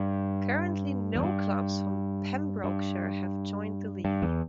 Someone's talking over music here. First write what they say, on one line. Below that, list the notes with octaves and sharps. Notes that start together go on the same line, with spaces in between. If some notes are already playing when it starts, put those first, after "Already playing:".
Currently no clubs from Pembrokeshire have joined the league.
Already playing: G2
E2
G2
G2
G2
E2